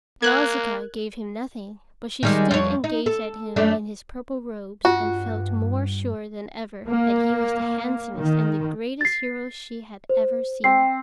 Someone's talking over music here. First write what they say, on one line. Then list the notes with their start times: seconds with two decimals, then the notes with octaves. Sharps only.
Nausicaa gave him nothing, but she stood and gazed at him in his purple robes and felt more sure than ever that he was the handsomest and the greatest hero she had ever seen.
0.22 A#3 A#4 F#6 G#6
2.23 D#3 G3 G#3
2.51 F2 C#5
2.84 D#4
3.06 A4
3.56 F#2 A3 D4
4.85 G2 F4 F#4
6.88 A#3
8.16 D#3
9.01 A6 C7
10.10 C5
10.64 C4 C7